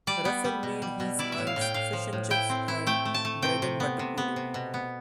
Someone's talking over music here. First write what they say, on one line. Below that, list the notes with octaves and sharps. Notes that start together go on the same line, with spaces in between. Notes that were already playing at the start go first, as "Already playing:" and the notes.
Russell made his Aunt's Fish and Chips and Bread and Butter pudding.
G3 D5
B3
G3
B2
G3
B2
E4 D5
E5
A2
F5
A2 G5
A2 F5
F3
A2
E4 G5
C4
E4
A3 G5
A3
A5
A3
C3 G5
C3
B3
C3
B3
C3
B2
B3